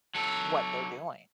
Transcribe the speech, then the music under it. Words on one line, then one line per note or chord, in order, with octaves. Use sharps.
what they're doing.
F#3 A4